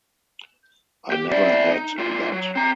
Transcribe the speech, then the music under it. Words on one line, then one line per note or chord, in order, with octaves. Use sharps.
I never had that.
G4
E4 D5
D#4
A2 F4
F#3
C4 A#5